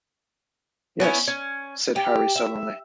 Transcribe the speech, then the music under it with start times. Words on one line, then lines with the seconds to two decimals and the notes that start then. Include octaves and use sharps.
"Yes," said Harry sullenly.
1.00 B3 C#4 E4 C#5
1.28 C#4
1.96 G4
2.36 E5